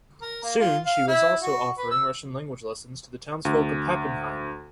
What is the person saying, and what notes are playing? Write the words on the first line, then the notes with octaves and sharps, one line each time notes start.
Soon she was also offering Russian language lessons to the townsfolk of Pappenheim.
A#4
A#3
F4
F5
E4
F#4
B4
E6
D2